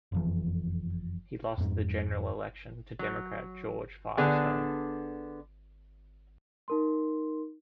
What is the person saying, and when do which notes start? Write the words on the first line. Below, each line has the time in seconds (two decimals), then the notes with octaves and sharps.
He lost the general election to Democrat George Firestone.
0.12 F#1 F2 E3
1.58 F2 G#2
2.99 F#3
4.18 D3 B3 D4 G#4
6.68 D#4 A#4 C6